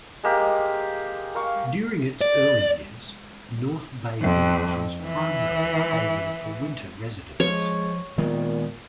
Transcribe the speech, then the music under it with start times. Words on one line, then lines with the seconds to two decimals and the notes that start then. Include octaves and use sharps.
During its early years, North Bay Village was primarily a haven for winter residents.
0.24 G#3 A#3 G4
1.35 A#4 F5 C#6
2.21 D5
4.21 F2
5.03 E3
7.40 F3 G#3 C#5
8.18 A#2 D#3 G#3 B3